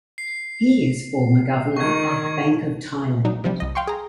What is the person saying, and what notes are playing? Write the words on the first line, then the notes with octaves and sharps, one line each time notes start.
He is former governor of Bank of Thailand.
C7
D#3 C#6 G#6
F#3 D4 D#4
C3 F3 G3
C2 D#5
F5 G5 C6 C#6
G#4 A#5